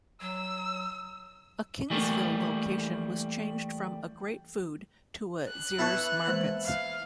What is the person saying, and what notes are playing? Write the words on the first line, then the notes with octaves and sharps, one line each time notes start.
A Kingsville location was changed from a Greatfood to a Zehrs Markets.
F#3 E6
E3 G3 A3 A#3
F#6
B3 E4 A4 B4 A5 C#6
E3 G#3 A#3
F5